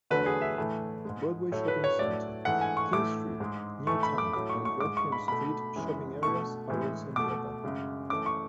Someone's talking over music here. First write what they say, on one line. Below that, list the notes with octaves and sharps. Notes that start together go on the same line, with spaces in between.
Broadway Shopping Centre; King Street, Newtown and Redfern Street shopping areas are also nearby.
E2 D3 F#3 A3 B4
G#4
E5
A2 E3 A3
G#2 G#3
A2 F#3 A3 C#5
B4
C#5
A2 F#3 A3 D5
G#2 E3 A3 F#5
G#5
C#6
A2 E3 A3 D6
G#2 G#3
A2 E3 A3 C#6
B5
D6
A2 F#3 A3 D6
C#6
C#6
G#2 G#3 D6
C#6
B5
B2 A3 B5
F#2 E3 G#3
B2 A3 C#6
A2 E3 G#3
B2 A3 D6
F#2 C#3 G#3
F#2 E3 A3 D6
C#6